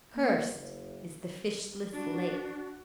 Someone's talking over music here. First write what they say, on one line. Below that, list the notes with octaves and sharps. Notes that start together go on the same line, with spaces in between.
"Cursed is the fishless lake!"
A#3
F#1
D4 F#4